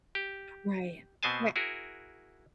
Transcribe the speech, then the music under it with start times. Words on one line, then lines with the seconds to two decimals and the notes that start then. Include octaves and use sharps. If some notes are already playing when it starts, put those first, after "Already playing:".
Right. Ri
0.15 G4
1.23 B2 B3 C4 C5 G#5 A5
1.56 E4 F#4 G#4 A#4